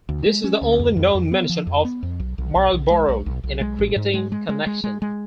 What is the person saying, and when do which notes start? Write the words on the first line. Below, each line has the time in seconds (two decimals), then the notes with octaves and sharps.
This is the only known mention of Marlborough in a cricketing connection.
0.09 D2
0.26 G#3
0.44 C#4
0.62 D2
0.80 F2
0.97 F2
1.15 F2
1.32 B3
1.49 F3
1.67 F2
1.85 B3
2.03 F2
2.20 B1
2.38 B1
2.55 B1
2.73 B1
2.91 G#3
3.09 B1
3.26 B1
3.44 B1
3.61 G#3
3.79 A1
3.96 G#2
4.14 G#3
4.32 G#3
4.49 G#3
4.66 G#3
4.84 G#3
5.02 G#3